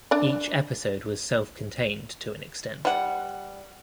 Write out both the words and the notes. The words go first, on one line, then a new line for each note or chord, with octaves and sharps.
Each episode was self-contained to an extent.
D4 D5
G3 F#5